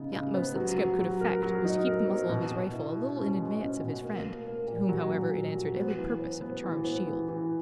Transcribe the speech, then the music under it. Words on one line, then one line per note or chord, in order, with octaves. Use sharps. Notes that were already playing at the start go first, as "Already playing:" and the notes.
The utmost that the scout could effect, was to keep the muzzle of his rifle a little in advance of his friend, to whom, however, it answered every purpose of a charmed shield.
Already playing: C#3 B3 D#4
C#3
B3
F#3
F#3
F#3
A#4
F#3
D#4
A#4
B3
B2
B2
E4
E4
C#4
G#3
C#4
B2
A#3
A#3
A#3
A#2
F#3
A#2
A#2
F#3
B3
E3
B3
B3
E3
B3
E3
E3